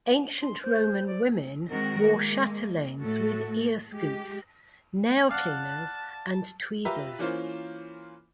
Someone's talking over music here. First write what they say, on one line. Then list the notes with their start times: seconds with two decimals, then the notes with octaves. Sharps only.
Ancient Roman women wore chatelaines with ear scoops, nail cleaners, and tweezers.
0.42 C6
0.64 C5 G6
1.07 D5
1.70 D#3 G#3 C4 F#4 A#4
2.03 G#3 A#3
2.99 A2 A3 F#4 A4
3.90 G#3 G4
5.31 D5 F5 F#5 A5 F#6
6.85 F4 G4 B4 E5 A#5
7.19 E3 A#3 C#4 F4 C5